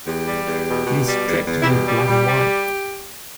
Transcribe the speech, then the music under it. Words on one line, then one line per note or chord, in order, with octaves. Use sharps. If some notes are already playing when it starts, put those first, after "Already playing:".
It is streaked with black and white.
E2 G4
G3
E2
B2
B2
G3
E2
E2
E4
B2 G4
G3
G3
G3